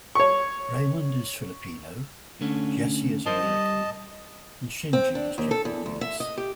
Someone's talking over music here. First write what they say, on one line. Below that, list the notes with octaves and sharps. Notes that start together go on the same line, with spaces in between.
Raimund is Filipino, Jesse is American, and Shinji is Japanese.
C#5 C#6
D3 A3 C#4
F4 A#4 C5 D#5 A5
G3
C4
D4
D#2
A4
E2
D2
E5
D#5
G4